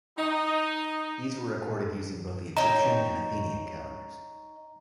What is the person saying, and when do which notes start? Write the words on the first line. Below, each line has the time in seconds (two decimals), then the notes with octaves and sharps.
These were recorded using both the Egyptian and Athenian calendars.
0.18 D#4
2.57 D#4 C#5 G5 A#5